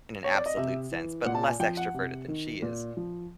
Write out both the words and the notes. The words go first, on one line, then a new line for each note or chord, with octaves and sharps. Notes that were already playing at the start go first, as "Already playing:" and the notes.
in an absolute sense, but less extroverted than she is.
C#5
D5
D#5
C3 E5
E3
A#2 F#5
A5
G#5
F3 G5
F#5
C3
D#3
A#2
F3